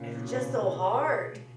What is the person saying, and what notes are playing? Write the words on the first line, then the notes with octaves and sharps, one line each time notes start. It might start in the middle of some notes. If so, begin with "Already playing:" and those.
They're just so hard.
Already playing: A#2 C#3
B2
C#3
B2
F#4
B2 G#4